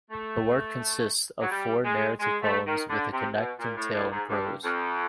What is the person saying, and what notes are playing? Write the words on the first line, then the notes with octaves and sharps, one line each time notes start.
The work consists of four narrative poems with a connecting tale in prose.
A3
F#3
G3
G#3
G#3
A3
D#3
D3
C3
B2
A#2
A2
A2
G#2
G2
F2